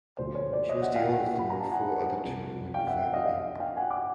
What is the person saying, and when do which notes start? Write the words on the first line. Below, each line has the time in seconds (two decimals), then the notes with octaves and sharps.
She was the oldest among four other children in the family.
0.19 D2 D3 F3 A#3 C5
0.35 C#5
0.52 C5 D5
0.69 C#5 D#5
0.82 E5 F#5
0.95 F5 G5
1.08 F#5 G#5
1.39 B5
1.50 A#5
1.60 A5
1.72 F#5 G#5
2.24 C2 C3 F3
2.74 F5 G5
2.87 E5 F#5
3.13 D#5 F5
3.25 D#5 F5
3.60 F5 G5
3.76 F#5 G#5
3.91 D6